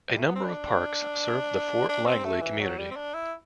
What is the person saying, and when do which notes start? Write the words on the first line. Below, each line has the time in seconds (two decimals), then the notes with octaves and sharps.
A number of parks serve the Fort Langley community.
0.10 G3
0.19 A3
0.28 B3
0.35 C4
0.44 D4
1.89 D4
2.06 C4
2.24 A3
2.42 E3
2.61 F#3
2.78 G3
2.91 C4
2.96 D4
3.14 E4